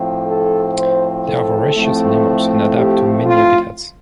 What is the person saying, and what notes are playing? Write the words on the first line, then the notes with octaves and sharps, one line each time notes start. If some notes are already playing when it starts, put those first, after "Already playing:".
They are voracious animals and adapt to many habitats.
Already playing: A2 F3 C4
A4
C5
A4
A2 F3 A3 C4
G4
F4